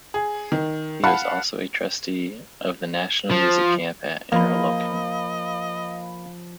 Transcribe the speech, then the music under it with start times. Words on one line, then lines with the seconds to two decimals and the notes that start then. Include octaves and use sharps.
He was also a trustee of the National Music Camp at Interlochen.
0.14 G#4
0.52 D#3
1.04 F5 F#5 A5 B5
3.31 F3
4.32 F3 A#3 D#5 F5 B5